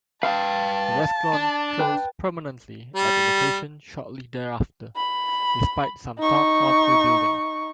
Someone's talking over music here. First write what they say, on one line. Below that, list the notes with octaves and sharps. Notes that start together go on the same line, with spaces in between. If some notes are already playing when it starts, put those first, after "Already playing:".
The restaurant closed permanently at that location shortly thereafter, despite some talk of rebuilding.
B4 F5 G5 A5
D4
B4 G5
G3
B5
D#4 C#6